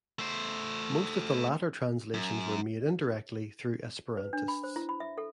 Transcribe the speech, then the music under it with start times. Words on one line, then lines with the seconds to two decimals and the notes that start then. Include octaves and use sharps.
Most of the latter translations were made indirectly, through Esperantists.
0.19 A3 C5
2.14 F#2
4.17 B4
4.33 D4
4.48 B5
4.64 C5
4.76 E4
4.89 B5
5.00 E5
5.18 A4